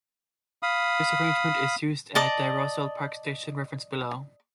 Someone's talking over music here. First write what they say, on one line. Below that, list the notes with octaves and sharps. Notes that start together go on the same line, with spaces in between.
This arrangement is used at the Roselle Park Station referenced below.
F5 B5 D#6
D5 D#5 A5